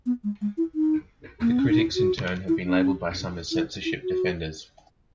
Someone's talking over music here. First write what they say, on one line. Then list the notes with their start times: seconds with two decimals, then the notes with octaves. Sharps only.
The critics, in turn, have been labelled by some as "censorship defenders".
0.06 B3
0.24 G#3
0.41 G#3
0.58 E4
0.75 D#4
1.41 A#3
1.51 B3
1.60 C#4
1.69 D#4
1.79 E4
1.96 F#4
2.48 E4
2.65 C#4
3.52 E4
3.85 E4
4.03 F#4